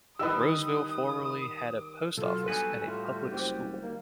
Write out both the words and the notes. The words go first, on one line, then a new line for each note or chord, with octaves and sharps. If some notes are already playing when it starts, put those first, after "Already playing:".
Roseville formerly had a post office and a public school.
D#3 G3 E4 G4 B4 D#5 D#6 E6
B1 F4 A4
B1 G3 F#4 B4 G#5
A2 A3 F4
F#1 G4 C5
D#3 A#3